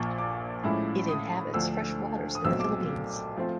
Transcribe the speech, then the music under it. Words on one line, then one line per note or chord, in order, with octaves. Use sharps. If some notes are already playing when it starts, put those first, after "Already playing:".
It inhabits freshwaters in the Philippines.
Already playing: A#1 A#2 F3 C#6
D6
A2 F3 G#3 C#4 E4
D#6
D2 D3 F3 A3 D4 E6
D#6
B1 A#2 F#3 A3 C4 E6
D6
F3 A3 C4 F4